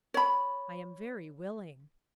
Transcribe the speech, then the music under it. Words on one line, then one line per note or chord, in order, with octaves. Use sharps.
"I am very willing."
C#5 B5